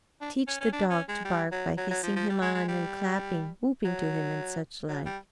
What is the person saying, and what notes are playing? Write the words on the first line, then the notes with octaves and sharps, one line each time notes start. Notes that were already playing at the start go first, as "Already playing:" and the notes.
Teach the dog to bark by hissing him on and clapping, whooping to him and such like.
D4
C#4
C#4
D4
C#4
G#3
G3
F#3
F#3
F#3
F3
F3
G3
G#3
G#3
G3
F#3
F#3
G3